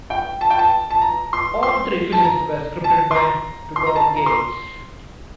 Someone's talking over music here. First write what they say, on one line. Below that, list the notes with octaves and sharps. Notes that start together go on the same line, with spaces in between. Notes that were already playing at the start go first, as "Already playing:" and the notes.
All three films were scripted by Tudor Gates.
G5
A5
G5
A5
A5
A#5
C6
C6
A5
A#5
A5
C6
A#5
C6
A#5
A5
A#5
C6